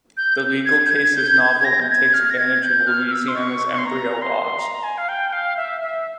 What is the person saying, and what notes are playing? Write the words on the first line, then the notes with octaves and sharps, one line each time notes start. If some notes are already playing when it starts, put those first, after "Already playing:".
The legal case is novel and takes advantage of Louisiana's embryo laws.
G6
G#6
G6
G#6
G6
G#6
G#6
A#6
G6
G#6
F6
A#6
G#6
G6
F6
F6
E6
C6
C#6
C#6
C6
A#5
C6
A#5
G#5
F5
G5
F5
E5
E5